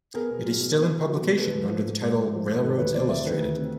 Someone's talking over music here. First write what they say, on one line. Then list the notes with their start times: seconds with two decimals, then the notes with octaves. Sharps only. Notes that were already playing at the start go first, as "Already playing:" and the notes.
It is still in publication under the title "Railroads Illustrated".
0.14 B3 G#4 A#4
0.30 B2
0.46 F#3
0.60 B2
0.76 B3
0.91 B2
1.08 F#3
1.23 B2
1.38 G#3 A4 B4
1.55 G#2
1.70 F3
1.85 G#2
2.01 G#3
2.16 G#2
2.32 F3
2.48 G#2
2.63 D#3 A4 B4
2.78 D2 B4 C#5
2.94 C3 C5 D5
3.09 D2 D5 E5
3.18 C5
3.25 D#3 A4 B4
3.40 D2
3.57 C3